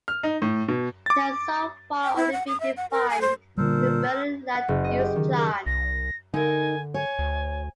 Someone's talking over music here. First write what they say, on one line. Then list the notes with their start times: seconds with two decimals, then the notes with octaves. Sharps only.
It has so far only been defined in the Berlin land use plan.
0.08 F6
0.23 D#4
0.42 A2
0.68 B2
1.06 D6 A6
2.04 G5
2.16 E4
2.32 F#5
2.47 D#6
2.60 E5
2.77 F#5
2.91 A#4
3.10 G#5
3.21 C5
3.58 A#2 D3 G3 A4 A#4 C5
4.55 F#5
4.68 F#1
4.84 D#5
4.98 G4
5.16 D#3
5.38 A#4
5.66 C2 A#6
6.34 D3 D#4 A#4 G#5
6.94 C#5 G#5
7.19 D2